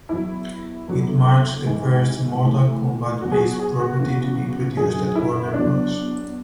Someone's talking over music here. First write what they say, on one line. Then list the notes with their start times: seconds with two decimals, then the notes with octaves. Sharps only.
It marks the first "Mortal Kombat" based property to be produced at Warner Bros.
0.09 E2 B2 F#3 E4
0.87 E2 D3 F#3
1.65 G#2 E3
2.43 A2 E3
3.21 E2 B2 F#3 F#4
3.32 G#4
3.40 F#4
3.59 G#4
3.80 F#4
3.99 E2 C#3 E3
4.76 F#2 D3 F#3 G#4
5.15 E4
5.54 E2 B2 F#3 D4